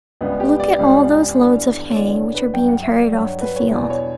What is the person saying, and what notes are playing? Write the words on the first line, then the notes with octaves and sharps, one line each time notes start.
Look at all those loads of hay, which are being carried off the field.
C#2 C#3 G3 B3
G4
D5
C#2 C#3 G3
E2 D3 G3
C#5
E2 D3 G3 D5
C#5
B4
G2 F#3 G5
F#5
E5
D5
G2 F#3 C#5
C#5
B4
C#5
E2 B2 G3
C#5